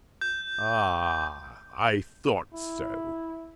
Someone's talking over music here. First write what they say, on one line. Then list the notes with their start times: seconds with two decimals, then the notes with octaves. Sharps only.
Ah, I thought so!
0.21 G6
2.53 E4